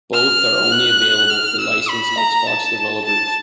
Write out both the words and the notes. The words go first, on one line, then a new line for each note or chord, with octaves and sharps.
Both are only available for licensed Xbox developers.
F6
F#6
F6
E6
B5
A#5
A5
A5